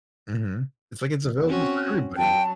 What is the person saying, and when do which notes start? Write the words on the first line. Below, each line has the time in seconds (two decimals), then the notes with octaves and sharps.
Mhm. It's like it's available for everybody.
1.45 C4 C#4 F#4
2.17 F#3 G5 A5